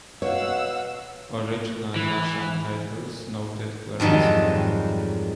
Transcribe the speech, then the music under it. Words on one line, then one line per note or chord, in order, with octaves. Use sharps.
Original Russian titles noted where possible.
B2 C#5 F5 F#5 E6
E3
F2 G#2 D#3 F#3 G3